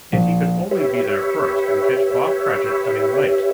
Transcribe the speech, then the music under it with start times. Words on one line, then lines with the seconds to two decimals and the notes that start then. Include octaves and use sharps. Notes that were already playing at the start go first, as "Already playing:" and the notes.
If he could only be there first, and catch Bob Cratchit coming late!
0.12 A#1
0.71 G4 B4 C#5 E5